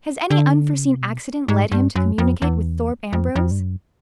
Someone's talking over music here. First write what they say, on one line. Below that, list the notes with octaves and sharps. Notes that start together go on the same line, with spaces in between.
Has any unforeseen accident led him to communicate with Thorpe Ambrose?
D3
C#3
C3
B2
G#2
G2
F#2
F2
E2
F2
F2
G2
F#2